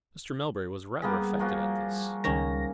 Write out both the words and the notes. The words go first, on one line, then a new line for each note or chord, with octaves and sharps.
Mr. Melbury was rather affected at this.
G3 A#3 B3 G#4
F3 A#3 F#4
C#2 D#3 C#4 A#6